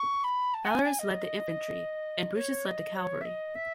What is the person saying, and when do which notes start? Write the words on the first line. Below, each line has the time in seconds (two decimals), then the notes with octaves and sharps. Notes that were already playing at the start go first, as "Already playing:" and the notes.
Valerius led the infantry, and Brutus led the cavalry.
Already playing: C#6
0.24 B5
0.54 A5
0.65 F#5
0.69 G#5
0.84 G#5
0.99 D#5
2.35 C#5
2.65 D#5
2.96 C#5
3.21 E5
3.25 D#5
3.55 E5